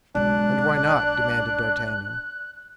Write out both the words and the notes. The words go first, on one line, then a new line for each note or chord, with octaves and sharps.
"And why not?" demanded d'Artagnan.
B1 G#3 D4 F#6